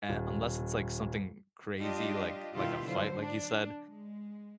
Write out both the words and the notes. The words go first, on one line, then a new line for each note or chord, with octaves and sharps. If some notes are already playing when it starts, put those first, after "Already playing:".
uh, unless it's like something crazy like like a fight, like you said,
D#1
G3 D4 F4 G4 D#5
B2 D#3 G3 E4 F4 G4
D3 F#3 F4 C5
D4
G#3